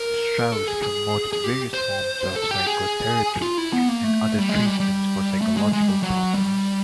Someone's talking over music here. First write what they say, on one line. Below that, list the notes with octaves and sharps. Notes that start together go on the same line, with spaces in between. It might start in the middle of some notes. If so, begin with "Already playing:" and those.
Strauss promoted various forms of psychotherapy and other treatments for psychological problems.
Already playing: A#4
A4
G#4
G#4
G#4
G4
C5
A4
G4
G#4
F4
E4
B3
A#3
A3
G3
G#3
G3
G3
A3
G#3
G#3
G3
F#3
G3